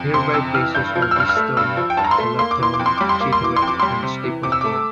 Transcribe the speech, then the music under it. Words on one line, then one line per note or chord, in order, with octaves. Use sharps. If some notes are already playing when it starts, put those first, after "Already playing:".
Nearby places are Beeston, Wollaton, Chilwell and Stapleford.
Already playing: F2
C3 C6
F2 E6
E3 F6
G2 G6
F3
F6
E6
G2 F6
F6
A3
G2 E6
F3
G5
G2 A5
A#5
C6
A3
A#3 C6
D6
E3 C6
D6
F2
C6
G3 D6
C6
A#3 D6
C6
E3 D6
C6
F2
D6
G3 C6
C3
E3
C3 D6
E6
A3 D6